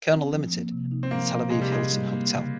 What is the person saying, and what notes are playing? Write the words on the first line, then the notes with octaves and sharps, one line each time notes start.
Colonel Limited, and the Tel Aviv Hilton Hotel.
C4
F3
A#3
C3
D#4
C4
F3 A#3
A#3
C3 G#3
G3
G#3 D#4
G3
A#3
C#3